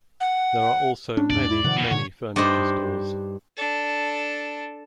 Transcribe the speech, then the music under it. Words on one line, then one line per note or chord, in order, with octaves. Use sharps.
There are also many, many furniture stores.
F#5
C#4 D4
A1 E2 G#2 D5
E4
C3 D#3 F3 F#5
F2 B2
A#2 D3 C#5
G2 D4 D#4 C5
D4 A4